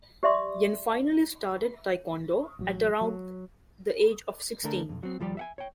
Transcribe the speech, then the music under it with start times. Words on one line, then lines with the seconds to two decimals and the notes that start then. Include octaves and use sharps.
Yen finally started taekwondo at around the age of sixteen.
0.23 G4 D5 E5 C6 D6
2.59 A1 F#3
3.01 F#3
4.64 D3 A3 D4 A#4
4.89 B1 F2
5.03 F#3 C4
5.20 D#2 F3 G3 G4 D5
5.37 E5 F#5 G#5
5.58 C#5 G5